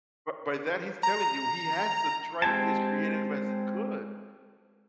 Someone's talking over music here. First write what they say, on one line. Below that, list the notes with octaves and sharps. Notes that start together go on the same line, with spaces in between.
b by that he's telling you he has to try to be as creative as he could.
A#5
G#3 C4 G4 G#5 A5